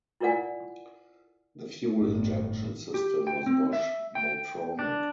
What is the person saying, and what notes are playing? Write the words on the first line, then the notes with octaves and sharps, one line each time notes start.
The fuel injection system was Bosch Motronic.
E4 F4 A#4 D5 F#5 G#5
G1 A2
G4
G5
C4
E5
G5
D4